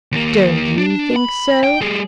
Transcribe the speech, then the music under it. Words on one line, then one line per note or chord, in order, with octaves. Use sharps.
'Don't you think so?
D#2 A#3
D4
B5
G5
G3 G#4